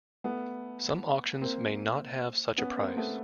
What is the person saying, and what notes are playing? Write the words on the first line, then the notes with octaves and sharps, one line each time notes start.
Some auctions may not have such a price.
A3 B3
A#3 C4
B3 C#4
A#3 C4
A3 B3